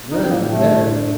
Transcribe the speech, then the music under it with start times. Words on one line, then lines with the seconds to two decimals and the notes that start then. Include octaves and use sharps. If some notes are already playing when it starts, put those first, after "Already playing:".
None better.
0.11 D4 D#4
0.23 C4
0.31 A2 A#3
0.51 G3 A3
0.72 A2
0.92 D4